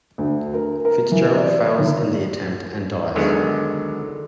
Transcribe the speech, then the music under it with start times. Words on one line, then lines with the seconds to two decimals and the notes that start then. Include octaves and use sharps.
Fitzgerald fails in the attempt and dies.
0.18 D2
0.54 A#4
0.85 A#4
1.12 E3
1.37 D5
1.79 D#3
3.16 D3 D#3 F#3 G#3 B3